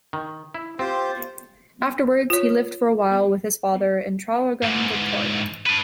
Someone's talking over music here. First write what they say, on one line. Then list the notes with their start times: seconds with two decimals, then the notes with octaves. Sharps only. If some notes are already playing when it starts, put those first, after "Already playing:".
Afterwards he lived for a while with his father in Traralgon, Victoria.
0.13 D#3
0.54 E4
0.79 C4 F4 G4 C5
2.30 F4 C#5
4.63 G#2 E3
5.66 D4 B4